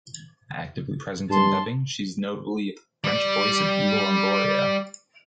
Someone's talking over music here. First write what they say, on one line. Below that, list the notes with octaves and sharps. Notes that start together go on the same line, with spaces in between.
Actively present in dubbing, she’s notably the French voice of Eva Longoria.
G2 A5 C6
G3 D5